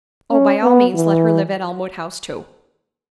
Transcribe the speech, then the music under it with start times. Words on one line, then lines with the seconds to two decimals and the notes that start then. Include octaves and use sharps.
Oh, by all means let her live at Elmwood House too.
0.31 C#4
0.63 B3
0.95 E3